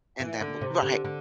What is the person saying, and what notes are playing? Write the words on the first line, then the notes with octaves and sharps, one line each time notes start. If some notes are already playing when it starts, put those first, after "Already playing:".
And that mo right.
E3
D3
C3
D3
D3